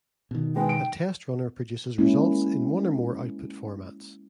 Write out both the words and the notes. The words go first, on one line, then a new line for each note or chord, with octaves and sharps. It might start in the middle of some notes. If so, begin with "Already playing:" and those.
A test runner produces results in one or more output formats.
B2 D#3
G#3 B3 G5
D7
G#3 A#3 C#4 E4